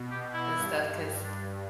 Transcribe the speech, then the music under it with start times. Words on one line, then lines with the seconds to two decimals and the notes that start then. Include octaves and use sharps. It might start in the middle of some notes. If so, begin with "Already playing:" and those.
and stuff 'cause
Already playing: B2
0.11 G4
0.34 E4
0.56 G2
1.24 D4